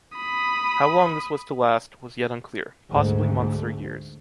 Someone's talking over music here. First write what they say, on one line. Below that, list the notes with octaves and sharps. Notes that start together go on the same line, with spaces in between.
How long this was to last, was yet unclear, possibly months or years.
B5 D#6
D2 G#2 A3